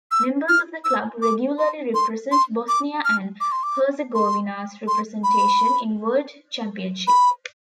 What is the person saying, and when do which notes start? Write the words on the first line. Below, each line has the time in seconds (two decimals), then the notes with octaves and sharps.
Members of the club regularly represent Bosnia and Herzegovina's representation in world championships.
0.11 E6
0.48 F6
0.84 E6
1.22 D6
1.58 C6
1.94 C6
2.32 C6
2.68 D6
3.05 F6
3.40 D6
3.52 C6
3.63 D6
4.15 C6
4.88 C6
5.23 B5
7.07 B5